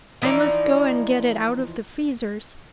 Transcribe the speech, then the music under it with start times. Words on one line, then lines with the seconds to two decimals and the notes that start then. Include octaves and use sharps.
I must go and get it out of the freezers.
0.22 E3 F3 D#4 D5